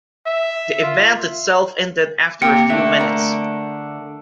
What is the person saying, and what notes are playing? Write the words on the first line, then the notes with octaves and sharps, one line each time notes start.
The event itself ended after a few minutes.
E5
F4
C3 A#3 G5 C#7
D3 A3 D4 E5
A#4 A#5